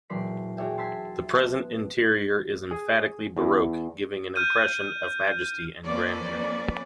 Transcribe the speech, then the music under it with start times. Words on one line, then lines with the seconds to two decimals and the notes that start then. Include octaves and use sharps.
The present interior is emphatically Baroque, giving an impression of majesty and grandeur.
0.10 E1 A#2 F#3 D5 C6 B6
0.57 F#4 G#4 C#5 D5 E5 G5
0.78 A5 C6 E6 G#6 A6 B6
1.38 B3 F#6
2.71 G#4
3.37 E2
4.36 F6 G6 D#7
5.84 F2 A#3 C#4 B4 D5